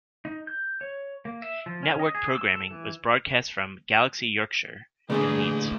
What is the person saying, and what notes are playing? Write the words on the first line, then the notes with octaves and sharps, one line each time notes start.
Networked programming was broadcast from Galaxy Yorkshire in Leeds.
D#4
G6
C#5
A#3
E5
F3
C#4
D#5
G#4
E6
A4
E3
A#2 D3 A3 D4 G#4 B4